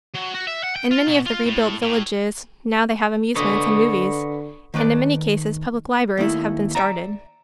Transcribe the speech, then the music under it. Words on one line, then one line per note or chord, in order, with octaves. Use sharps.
In many of the rebuilt villages now they have amusements and movies and in many cases public libraries have been started.
F#3
F#4
E5
F#5
G5
F4
B2
F4
A2
A2
D3 B4 C#5 D#5
D#3 A3 B4 D5
D#2 D#3 A3 E4
D5 E5 A#5